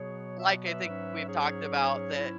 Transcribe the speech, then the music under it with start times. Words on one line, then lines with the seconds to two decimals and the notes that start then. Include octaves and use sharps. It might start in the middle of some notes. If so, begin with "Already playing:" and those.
l like I think we've talked about that
Already playing: B2 F#3 B3 G#4 C#5
0.39 E5
0.65 B4 E5
0.84 G#2 F#3 C#4
1.29 G#4 C#5
2.19 E4